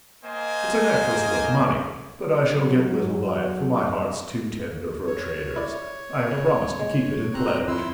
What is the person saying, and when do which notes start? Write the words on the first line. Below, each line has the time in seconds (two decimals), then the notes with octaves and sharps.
"It's a necklace worth money, but I shall get little by it, for my heart's too tender for a trader's; I have promised to keep it in pledge."
0.23 A#3 C5 D#5 G5 G#5
2.51 F#3
5.07 C#5
5.56 E4 D5
6.31 C#3
6.80 G#3
7.34 C4 A#5 F#6
7.68 F2 E4 C6 E6